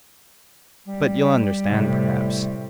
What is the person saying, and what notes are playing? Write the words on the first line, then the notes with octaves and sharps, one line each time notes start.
But ye'll understand, perhaps.
G3
A2 C3